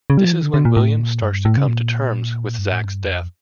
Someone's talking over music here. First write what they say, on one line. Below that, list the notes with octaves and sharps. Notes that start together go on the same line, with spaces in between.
This is when William starts to come to terms with Zach's death.
C#3
G3
F3
E3
D3
D3
A#2
A2
A#2
G2
A2
C#3
A#2
G2
A2
G2
F2